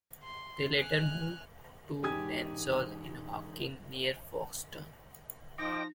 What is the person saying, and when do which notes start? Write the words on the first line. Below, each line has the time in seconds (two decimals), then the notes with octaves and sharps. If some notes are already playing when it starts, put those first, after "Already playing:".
They later moved to Densole in Hawkinge near Folkestone.
0.23 C6
0.76 G#5 F6 F#6
2.02 E1 G#2 G4 G#5 D#6 G#6
5.58 F3 D#4 D#5 G5 D6 A#6